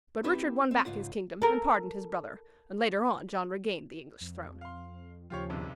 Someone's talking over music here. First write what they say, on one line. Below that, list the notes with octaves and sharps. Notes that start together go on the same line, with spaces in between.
But Richard won back his kingdom and pardoned his brother, and later on John regained the English throne.
C4 E4 G4 B4
C4
C#2 G#2 F4 F#5
A4 A#4
F2
F5 C6
D#2 C#3 F3 F4 G4 C#5
B1 G2 C3